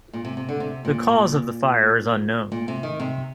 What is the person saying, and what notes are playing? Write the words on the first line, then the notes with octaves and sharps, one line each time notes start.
The cause of the fire is unknown.
A#2
C3
C3
D3
C3
A#2
A#2
A#2
C3
D#3
C3